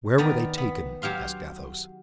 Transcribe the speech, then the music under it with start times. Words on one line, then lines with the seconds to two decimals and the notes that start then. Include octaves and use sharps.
"Where were they taken?" asked Athos.
0.18 D#3 B3 D5 A#5
0.58 B3
1.02 F#3 G4 F5 C6